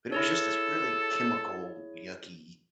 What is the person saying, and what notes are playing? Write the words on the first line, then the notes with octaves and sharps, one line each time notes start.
but it was just this really chemical yucky
E4 G#4 A4 C#5